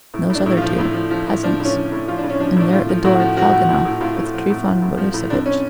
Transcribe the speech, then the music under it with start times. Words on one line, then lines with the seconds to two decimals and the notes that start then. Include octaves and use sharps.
And those other two ... peasants.... And there at the door Kalganov with Trifon Borissovitch....
0.14 A2
0.30 A2
0.35 D4
0.46 A2
0.57 F3 F4
0.79 A2
0.94 F3
1.11 F3
1.27 A2
1.43 F3 D4
1.60 A2
1.65 C#4
1.75 F3
1.92 A2
2.08 F3 F4
2.18 D4
2.24 A2
2.30 C#4
2.39 F3 D4
2.56 A2 D4
2.73 A2 F4
2.89 F3
3.04 A2 F#4
3.20 F3
3.37 F3 F#4
3.53 A2
3.69 A2
3.85 A2
4.01 A2 F4
4.17 A2
4.34 F3
4.50 A2
4.65 A2
4.82 A2
4.97 F3
5.14 A2
5.30 F2 D4
5.46 C#4